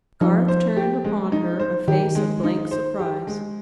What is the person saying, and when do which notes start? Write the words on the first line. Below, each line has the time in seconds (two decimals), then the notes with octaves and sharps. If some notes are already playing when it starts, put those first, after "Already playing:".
Garth turned upon her a face of blank surprise.
0.21 F3 D#4
0.48 C5
0.76 G4
1.05 G#3
1.32 D#4
1.59 C5
1.88 D#3 G4
2.15 G#3
2.44 D#4
2.71 C5
2.99 G4
3.27 G#3